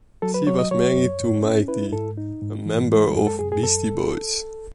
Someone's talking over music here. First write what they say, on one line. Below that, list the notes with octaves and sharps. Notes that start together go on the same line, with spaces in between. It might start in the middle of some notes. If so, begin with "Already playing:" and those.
She was married to Mike D, a member of Beastie Boys.
F#3 A4
B4
F#3 C#5
D#5
F#3 C#5
F#2
G#2
C#4
E4 B4
G#2 A4
D#4
G#2
E3
G#3
F#2 G#4
A4
F#2 G#4
G#4
F#2 A4